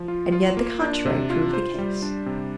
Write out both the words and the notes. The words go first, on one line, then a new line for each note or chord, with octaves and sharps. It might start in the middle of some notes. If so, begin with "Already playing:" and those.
And yet the contrary proved the case.
Already playing: F3
F4
F4
A#3
D4
C3
F4
C5
G3
D4
C3